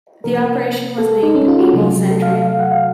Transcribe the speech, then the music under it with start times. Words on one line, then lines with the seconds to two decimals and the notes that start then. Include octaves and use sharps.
The operation was named "Able Sentry".
0.24 C3 F3 A#3 A#4
0.98 A4
1.23 D#4
1.35 C#4
1.48 F4
1.60 F#4
1.73 C3 F#3 A3
2.11 A4
2.22 F5
2.35 F5
2.47 F5
2.59 F#5
2.72 F5